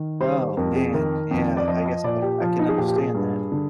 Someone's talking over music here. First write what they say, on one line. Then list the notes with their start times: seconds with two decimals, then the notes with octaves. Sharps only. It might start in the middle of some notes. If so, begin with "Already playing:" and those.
Oh, man. Yeah, I guess I I can understand that.
Already playing: D#3
0.20 G3 C5
0.39 C5
0.57 F2 A#4
0.76 G#4
0.93 D#3 A#4
1.31 F2
1.57 D5
1.68 F3 D#5
1.86 D#5
2.04 A#2 D5
2.22 G4
2.41 F3 F4
2.59 D#4
2.69 G#4
2.78 A#2 G4
2.88 G4
2.96 G#4
3.15 G2
3.52 D3